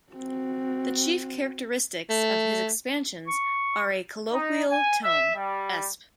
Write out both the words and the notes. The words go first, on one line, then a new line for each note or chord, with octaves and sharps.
The chief characteristics of his expansions are a colloquial tone, esp.
C4 F#4
A3
C#6
D#4
G#5
E5
G3